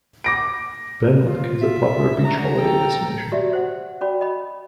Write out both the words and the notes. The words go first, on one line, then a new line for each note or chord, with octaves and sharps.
Benllech is a popular beach holiday destination.
D6 A#6 D7
F4
E5
F#2 D4 F#4 A#5
A4 G5
F#4 G4 D5 E5
C5 F#5
C#4 F#4 D5 B5
D#5 B5